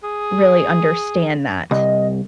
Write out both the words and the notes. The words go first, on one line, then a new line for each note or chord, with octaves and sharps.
really understand that
G#4
C2 D#5